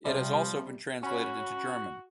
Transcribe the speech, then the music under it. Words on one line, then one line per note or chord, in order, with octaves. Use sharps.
It has also been translated into German.
C3 F3 G3
C#4 F#4 B5